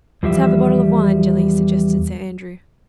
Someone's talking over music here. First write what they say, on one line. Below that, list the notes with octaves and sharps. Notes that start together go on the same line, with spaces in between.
"Let's have a bottle of wine, Jelly," suggested Sir Andrew.
E2 F3 G3 E5